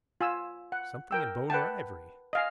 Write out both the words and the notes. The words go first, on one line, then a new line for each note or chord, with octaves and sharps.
"Something in bone or ivory."
F4 G#5 E6
F#5
A#4 G5 E6
B4 F#5 G5 A5
D#5 F5 G#5